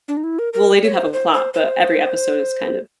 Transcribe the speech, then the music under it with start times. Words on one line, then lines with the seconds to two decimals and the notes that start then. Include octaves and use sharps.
Well, they do have a plot, but every episode is kind of
0.08 D4
0.17 D#4
0.24 E4
0.39 A#4
0.53 A#4
0.84 C#5
0.93 C5
1.13 C5
1.33 C5
1.54 C5